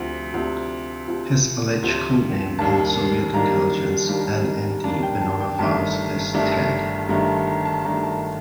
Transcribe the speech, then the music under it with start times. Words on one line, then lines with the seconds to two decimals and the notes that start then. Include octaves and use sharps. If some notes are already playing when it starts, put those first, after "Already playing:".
His alleged code name in Soviet intelligence and in the Venona files is "Ted".
Already playing: D2 C3 F3
0.33 D2 C3 F3
1.08 D2 C3 F3
1.83 D2 C3 F3
2.59 D#2 D#3 G3 A#3 D4 A5
3.33 D#2 D#3 G3 A#3 D4 A#5
4.09 D#2 D#3 G3 A#3 D4
4.84 D#2 D#3 G3 A#3 D4 A5
5.03 G5
5.22 A5
5.41 G5
5.59 G1 G2 D#3 A3 D4 A5
6.34 G1 G2 D#3 A3 D4
7.09 G1 G2 D#3 A3 D4 A#5
7.28 A5
7.47 A#5
7.65 A5
7.84 G1 G2 D#3 A3 D4 A#5
8.03 A5